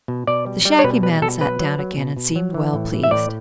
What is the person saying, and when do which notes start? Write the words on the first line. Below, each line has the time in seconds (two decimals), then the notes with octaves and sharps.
The Shaggy Man sat down again and seemed well pleased.
0.08 B2
0.27 B2 D5
0.46 G3
0.65 G3
0.79 C#5
0.84 B2 B4
1.03 G3 B4
1.22 B2 A4
1.41 F#3 B4
1.60 F#3
1.79 F#3
1.98 B2
2.16 B2
2.36 F#3
2.54 E3
2.73 A2
2.93 E3
3.03 E5
3.11 A2 D5